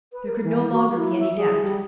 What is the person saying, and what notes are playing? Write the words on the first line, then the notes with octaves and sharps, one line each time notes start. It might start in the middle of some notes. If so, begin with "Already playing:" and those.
There could no longer be any doubt.
B4
A#4
E3
F#4
E4
E5
G#4
G3